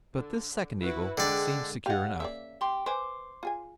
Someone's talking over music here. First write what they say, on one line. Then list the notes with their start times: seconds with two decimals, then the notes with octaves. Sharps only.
But this second eagle seemed secure enough.
0.14 D3
0.81 E4 F#4 B4
1.17 D3 G#3 D4 G#4 D5 G5
1.86 G4 D#5 F5 F#5
2.20 C#3 A#3 D5 E5
2.61 G4 C6
2.86 B4 C5 G#5 D6
3.43 F4 G#4 G#5